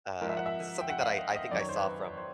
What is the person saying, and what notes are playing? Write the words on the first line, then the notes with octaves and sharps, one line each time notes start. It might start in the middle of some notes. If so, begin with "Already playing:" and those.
uh this is something that I I think I saw from,
G#2 F3 A#4
E5
F#5
E5
G5
F#5
F5
E5
D#5
D#5
F#2 D#3 F#3 D5
C#5
C5
B4
C5